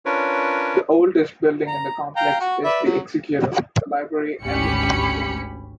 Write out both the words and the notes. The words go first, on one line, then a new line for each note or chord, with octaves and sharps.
The oldest building in the complex is the Executive, Library and Museum Building.
C#4 D4 F4 A#4 B4 C#5
A#5
F5 G5 A#5
F#4 C#6
B4 D5 E5
F#3
G#1 D2 C#4 G4 B5 C#7